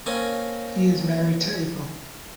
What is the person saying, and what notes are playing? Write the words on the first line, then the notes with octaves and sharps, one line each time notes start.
He is married to Apryl.
A#3 C4 C#4 G#5 A5